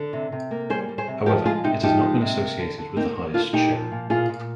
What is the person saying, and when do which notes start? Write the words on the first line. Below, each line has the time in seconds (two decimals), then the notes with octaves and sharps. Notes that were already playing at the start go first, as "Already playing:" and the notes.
However, it has not been associated with the highest share.
Already playing: D3
0.13 C3
0.32 C3
0.51 A#3
0.70 G3 G#4 C5
0.89 G3
0.98 G#4 C5
1.08 C3
1.26 F3 G4 A#4
1.45 G#3 F4 G#4
1.64 C3 D#4 G4
1.83 F3 D#4 G4
2.02 G#3
2.21 C3
2.40 A#3
2.59 D3
2.78 D3
2.96 A#3 C4 D#4
3.16 A#3
3.34 D3 D4 F4
3.53 A#2 D#4 G4
3.72 F3
3.92 A#2
4.10 A#2 F4 G#4
4.29 A#2